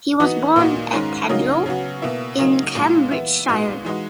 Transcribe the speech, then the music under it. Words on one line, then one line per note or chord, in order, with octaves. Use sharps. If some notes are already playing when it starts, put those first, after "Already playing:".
He was born at Tadlow, in Cambridgeshire.
E3 B3 D#4 F#4
A#2 A#3 D#4 F#4
G#2 D#3 G#3 C#4
C#3 F#3 A#3 D#4
C#3 F#3 B3 F#4
B2 A#3 E4
C#3 F#3 A#3 D#4
A#2 G#3 D#4 F#4
E3 B3 E4
A#2 G#3 B3 D#4 F#4
E3 G#3 D#4 F#4